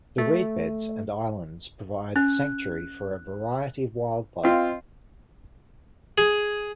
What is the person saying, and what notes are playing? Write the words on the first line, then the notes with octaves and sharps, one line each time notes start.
The reed beds and islands provide sanctuary for a variety of wildlife.
A3
C#4 F#6
C4 F4 D#5 F5
G#4